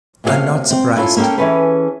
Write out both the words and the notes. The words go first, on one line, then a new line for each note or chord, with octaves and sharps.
I’m not surprised!
D2 C3 A#3 G#4 C#5 F5
C4
C#4 E4 F4 A4 C#5
A#3 C#4 A4 F5 G5
E3 F3 C#4 G#4 A4 B4